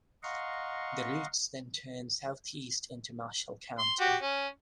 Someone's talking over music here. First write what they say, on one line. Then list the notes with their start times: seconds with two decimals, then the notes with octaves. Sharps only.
The routes then turn southeast into Marshall County.
0.23 D#5 F5 F#5 A#5 C6 C#6
3.79 C6
4.00 F#4 G4
4.22 C#4